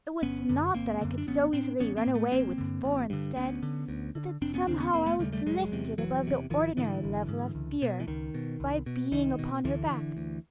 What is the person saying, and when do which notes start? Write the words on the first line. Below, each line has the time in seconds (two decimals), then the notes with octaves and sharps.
It was not that I could so easily run away with four instead, but that somehow I was lifted above the ordinary level of fear by being upon her back.
0.22 G1 B3 C#4
0.49 F#2 D3
0.74 G1 A#3 C4
1.01 F#2 D3
1.18 D4
1.27 A1 B3 C#4
1.53 A2 C4 D4
1.80 A1 B3 C#4
1.97 A#3 C4
2.06 A2
2.14 A3 B3
2.32 A1 A#3 C4
2.58 G2 D3
2.84 A1
3.10 G2 D3
3.36 D2 B3 C#4
3.63 D3
3.88 D2
4.15 D3
4.42 F1 C4 D4
4.54 B3 C#4
4.67 D#2 C#3 C4 D4
4.80 B3 C#4
4.93 F1 A#3 C4
5.06 A3 B3
5.19 D#2 C#3 G3 A3
5.32 G3 A3
5.46 F1 F#3 G#3
5.72 E2 C3
5.98 F1 E3 F#3
6.24 E2 C3
6.50 G#1 D#3 F3
6.77 G#2 D3 E3
7.03 G#1
7.29 G#2
7.55 C#2
7.82 B2
8.00 E3
8.07 C#2 D#3
8.34 B2
8.60 C2
8.86 B2
9.12 C2 D#3
9.39 B2
9.65 D2 D3 E3
9.91 D3
10.17 D2